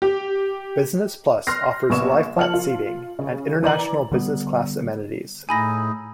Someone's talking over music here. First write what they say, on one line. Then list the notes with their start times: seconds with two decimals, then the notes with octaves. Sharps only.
Business Plus offers lie-flat seating and international business class amenities.
0.02 G4
1.47 C6 F6 F#6 A#6 C7
1.90 A#1 B3 C#6 E7
2.37 F3 A5 F6 C#7 F#7
2.54 F4
3.19 C#3
3.63 E3 D5 A#5 F#7
4.12 D3 G3 G#3 B3
5.49 A2 D#4 E4 G#4 G#5 B5 A#6